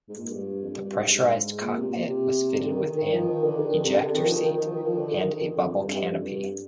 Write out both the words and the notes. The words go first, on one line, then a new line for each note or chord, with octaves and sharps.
The pressurized cockpit was fitted with an ejector seat and a bubble canopy.
G#2
A#2
G2
F2
G2
G2
G#2
A#2
C3
A#2
C3
D3
D#3
D#3
D#3
F3
D#3
D3
D#3
D3
C3
D3
D3
D#3
F3
D#3
D#3
F3
D#3
F3
D3
D#3
D#3
D3
F2
G2
G2
G2
F2
G2